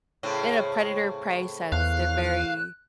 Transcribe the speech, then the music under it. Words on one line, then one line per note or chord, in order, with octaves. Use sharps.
In a predator prey sense, they're very
A2 C#3 C4
E2 F5 F#6